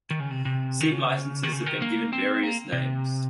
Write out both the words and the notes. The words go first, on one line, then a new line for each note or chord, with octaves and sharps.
Seat licenses have been given various names.
D#3
C#3
C3
C3
D#3
C#3
D#3
C#3
D#3
A#3
C4
A#3
C3